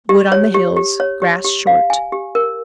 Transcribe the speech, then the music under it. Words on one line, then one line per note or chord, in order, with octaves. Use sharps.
Wood on the hills; grass short.
G4
C#5
G4
G4
C#5
G4
G4
F5
G#5
G4
A#4